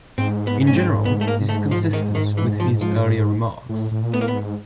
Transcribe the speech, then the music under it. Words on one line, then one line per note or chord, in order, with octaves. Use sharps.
In general, this is consistent with his earlier remarks.
G#2 C4
B3
C#4
C4
B3
A3
A#3
A3
F3
D#3
D#3
E3
F3
F3
A2
A2
A#2
A2 B3
A#3
B3
G#2